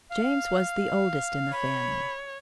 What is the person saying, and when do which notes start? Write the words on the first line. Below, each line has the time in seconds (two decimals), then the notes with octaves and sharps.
James was the oldest in the family.
0.10 F5
1.52 C#5 B5